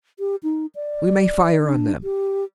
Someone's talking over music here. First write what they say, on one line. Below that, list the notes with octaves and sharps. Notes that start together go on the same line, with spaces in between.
We may fire on them.
G4
D#4
D5
D4
G4